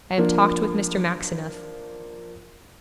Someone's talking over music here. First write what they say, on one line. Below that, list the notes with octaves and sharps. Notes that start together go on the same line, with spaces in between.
I have talked with Mr. Maxineff.
F3 A#3 D4